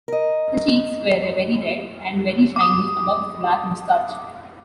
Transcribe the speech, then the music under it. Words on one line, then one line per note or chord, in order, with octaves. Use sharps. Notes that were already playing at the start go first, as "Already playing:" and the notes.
His cheeks were very red and very shiny above his black moustache.
A#4 D#5
D6 D#6